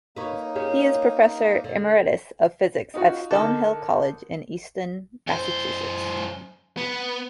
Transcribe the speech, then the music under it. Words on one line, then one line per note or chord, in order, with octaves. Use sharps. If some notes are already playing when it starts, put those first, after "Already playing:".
He is Professor Emeritus of Physics at Stonehill College, in Easton, Massachusetts.
A#3 D#4 B4 C#5
C#4 G4 G#4
D3
D#4 F4 F#4
D3 D#4 A#4 A5
F#2 C5
B3